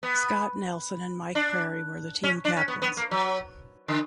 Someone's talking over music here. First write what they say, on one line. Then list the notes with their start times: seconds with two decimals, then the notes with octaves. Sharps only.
Scott Nelson and Mike Prairie were the team captains.
0.03 B3
1.35 D4
2.23 C#4
2.45 D4
2.56 C#4
2.68 B3
2.82 B3
2.97 A#3
3.11 F#3
3.88 D3